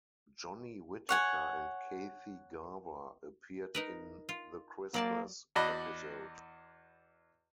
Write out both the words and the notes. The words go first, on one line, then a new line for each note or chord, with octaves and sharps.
Johnny Whitaker and Kathy Garver appeared in the Christmas episode.
C#5 F#5 G#5
D#4 A#4 B4
F4
F#3 A#3 D5 A5
E2 F#4 D5 D#5 B5